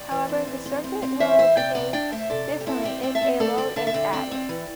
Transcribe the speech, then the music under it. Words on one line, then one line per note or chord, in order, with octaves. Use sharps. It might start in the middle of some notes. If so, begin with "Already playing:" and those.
However, the circuit will behave differently if a load is added.
Already playing: D5 G5
E3
C4
E3
C4
C4
C4
E3 C5 E5
E3 C5 E5
C3 D5 G5
C3 D5 G5
D4 D5 G5
A3 C5 E5
C3 A4 D5
C3
G4
C4 E4 A4
C4 D5 G5
C4 D5 G5
E5 A5
C4
A3 A4 D5
D3 D5 G5
D3 E5 A5
E5
D3 D5 G5
C4 D5 G5
C4
E3